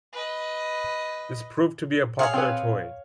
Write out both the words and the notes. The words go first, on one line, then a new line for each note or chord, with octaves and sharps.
This proved to be a popular toy.
B4 D#5
G#4 C#5 F5 F#5
C4 G#4 B4